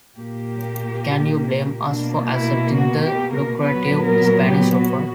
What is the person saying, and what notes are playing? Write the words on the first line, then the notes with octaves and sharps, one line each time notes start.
Can you blame us for accepting the lucrative Spanish offer?
A#2 A#3 G4
B2 A#3 D4
E4
F#4
G4
A#4
A#2 F#3 B3 B4
A#4
G4
F#4